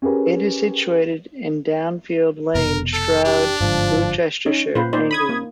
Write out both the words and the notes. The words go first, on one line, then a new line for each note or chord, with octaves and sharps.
It is situated in Downfield Lane, Stroud, Gloucestershire, England.
C#4 G4 G#4 A#4 B4
F1 B2 A#4
A4
D4 G4
G1 G#2 D3 F3
C#4 D#4
A#2 F4 B4 C5
D#4 C5 D5
B5 D#6 G#6
A#3